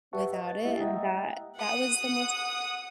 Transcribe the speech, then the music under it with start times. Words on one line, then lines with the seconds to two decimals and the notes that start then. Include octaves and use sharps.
without it, and that that was the most
0.13 G4 B4 E5 F#5 A5 C#6
0.33 D#5
0.47 A6
0.64 G#3 A#3 E4 G4 D#5 E5
0.80 D#5 E5 F#5 G5 A#5 D#6
1.57 F#5 D#6